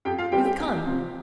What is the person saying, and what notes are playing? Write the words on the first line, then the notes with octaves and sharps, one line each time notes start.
You've come.
F2 G4 G5
F4 F5
E3 G3 C4 G4 G5
G4 G5
E2
C3 F3 C4